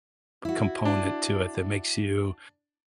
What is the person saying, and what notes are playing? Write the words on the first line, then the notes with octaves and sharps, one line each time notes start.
component to it that makes you
E4 F#4
D4